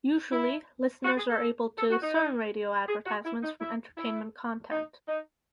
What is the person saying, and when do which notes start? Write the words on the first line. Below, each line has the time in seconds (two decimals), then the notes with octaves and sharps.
Usually, listeners are able to discern radio advertisements from entertainment content.
0.31 E4
1.05 F#4
1.17 G#4
1.29 A4
1.78 A4
1.90 F#4
2.02 D#4
2.88 G#4
3.06 F#4
3.24 E4
3.43 D#4
3.61 E4
3.97 E4
4.71 D#4
5.07 D#4